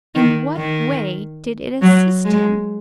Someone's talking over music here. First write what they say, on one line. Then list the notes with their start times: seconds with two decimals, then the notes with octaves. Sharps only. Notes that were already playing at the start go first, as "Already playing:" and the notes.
In what way did it assist him?
0.15 D#3
0.57 D#3
1.82 F#3
2.25 G#3